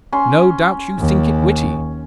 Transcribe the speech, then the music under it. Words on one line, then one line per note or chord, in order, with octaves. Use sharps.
No doubt you think it witty!
C#4 C6
D#2